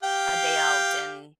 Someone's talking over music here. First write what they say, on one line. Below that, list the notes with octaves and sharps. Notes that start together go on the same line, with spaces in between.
a day out, and
G4 F5 G5